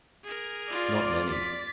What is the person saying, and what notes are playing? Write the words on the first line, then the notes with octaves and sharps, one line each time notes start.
Not many!
G#4 A#4
F4 D5
A6 B6